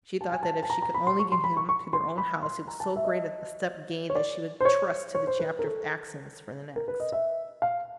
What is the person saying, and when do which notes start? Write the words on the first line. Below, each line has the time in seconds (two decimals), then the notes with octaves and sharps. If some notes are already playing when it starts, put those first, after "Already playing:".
She thought that if she could only get him to their own house, it was so great a step gained that she would trust to the chapter of accidents for the next.
0.21 A5
0.32 G#5
0.43 A5
0.63 A5
0.70 A#5
0.82 A#5
0.94 B5
1.07 C6
1.19 C#6
1.32 C6
1.44 B5
1.57 C#6
1.69 C#6
1.93 C6
2.18 B5
2.43 C6
2.68 A#5
2.80 A5
2.96 E5
3.05 D#5
4.10 C#5
4.15 D5
4.61 C5
4.65 C#5
5.15 C#5
5.27 C5
5.40 B4
5.59 A#4
5.64 A4
6.76 A#4
6.88 B4
7.00 D#5
7.12 E5
7.62 F5